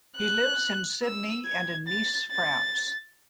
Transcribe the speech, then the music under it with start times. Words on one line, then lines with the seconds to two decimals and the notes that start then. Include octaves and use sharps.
He lives in Sydney and in Nice, France.
0.16 F#6
1.03 E6
1.46 G#6
1.88 A6
2.31 A6